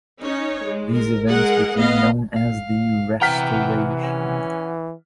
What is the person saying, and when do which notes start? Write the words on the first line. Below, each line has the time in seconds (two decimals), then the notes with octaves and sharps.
These events became known as the "Restoration".
0.21 C#4 D#4 C#5
0.66 G#3
0.95 A#4
1.28 G#3 G#4 A#4 F#5
1.76 B3 D#5 F5
2.36 F5
3.21 C3 E3 F#5 G5 A#5 F6 B6
4.03 C#4